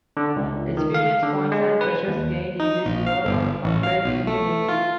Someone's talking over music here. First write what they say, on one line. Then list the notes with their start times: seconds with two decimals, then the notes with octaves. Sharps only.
Experience points and treasures gained in this mode are applied to the main game.
0.17 D3
0.36 C#2
0.77 D#3
0.94 F5
1.23 D3
1.52 G#3
1.81 B4
2.08 D#2
2.60 D#4
2.85 A#1
3.06 F5
3.25 G1
3.64 A1
3.83 F5
4.05 B1
4.27 A3
4.69 F4